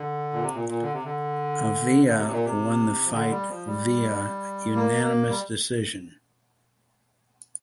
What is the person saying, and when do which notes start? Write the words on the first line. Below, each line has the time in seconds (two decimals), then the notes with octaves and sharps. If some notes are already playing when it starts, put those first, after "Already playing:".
Avila won the fight via unanimous decision.
Already playing: D3
0.34 A#2
0.42 C3
0.55 A#2
0.69 A#2
0.82 D3
0.93 C3
1.04 D3
2.04 D3
2.18 C3
2.31 A#2
2.44 C3
3.06 F3
3.12 D3
3.31 G3
3.49 F3
3.67 G3
4.75 A#3
5.03 A#3
5.29 G3